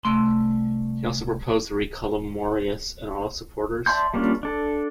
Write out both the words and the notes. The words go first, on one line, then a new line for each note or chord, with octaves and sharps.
He also proposed the recall of Marius and all his supporters.
C2 A3 C6
D5 E5 A5 C6 G6
G3 A#3 C#4 D4 F4
D4 A4